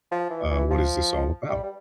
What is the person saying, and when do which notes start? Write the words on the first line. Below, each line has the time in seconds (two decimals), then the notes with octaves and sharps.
uh, what is this all about?"
0.11 F3
0.30 E3
0.50 E3
0.70 F3
1.49 G3
1.63 G3